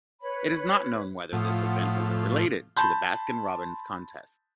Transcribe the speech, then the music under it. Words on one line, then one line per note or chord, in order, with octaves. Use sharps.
It is not known whether this event was related to the Baskin-Robbins contest.
B4 C#5 B5
A2 F3 F4 F#5 D#6
A5 B5 C6 G6